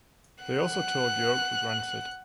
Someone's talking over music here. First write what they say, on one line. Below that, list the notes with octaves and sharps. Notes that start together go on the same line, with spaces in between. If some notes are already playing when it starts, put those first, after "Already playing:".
They also toured Europe with Rancid.
F#5 F#6